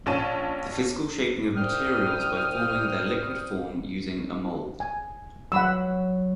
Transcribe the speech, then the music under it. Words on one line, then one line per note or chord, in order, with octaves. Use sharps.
The physical shaping of materials by forming their liquid form using a mould.
A#1 C#4 A5 D#7
C2 G5 D#6 F6
G#5
F#3 F#5 B5 E6